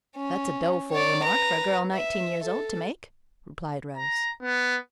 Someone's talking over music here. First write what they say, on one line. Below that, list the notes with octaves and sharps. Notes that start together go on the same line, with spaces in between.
"That's a doleful remark for a girl nineteen years old to make," replied Rose.
C#4
C#5 D5
B4 A#5
E5
A4
A#5
B3